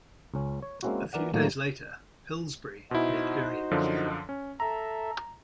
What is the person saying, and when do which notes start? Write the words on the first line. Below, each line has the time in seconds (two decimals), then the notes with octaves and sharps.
A few days later "Pillsbury" met her end.
0.34 C#2 C#4
0.62 C#5
0.83 G#3 A#3 C4 C#4 E4 F#4
1.13 E3 A#4 D5 F#5
1.34 A2 D#3 F#3 A3 A#3
2.91 B2 D#4 E4 F#4 C5
3.71 F#2 D3 F3
4.29 C#4
4.60 A4 E5 A#5